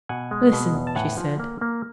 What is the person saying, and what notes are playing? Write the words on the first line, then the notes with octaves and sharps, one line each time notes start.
"Listen," she said.
B2 F#5 G#5
G#3
B2
E2
A5
A2 F#5 G#5
F3
A#3
A#3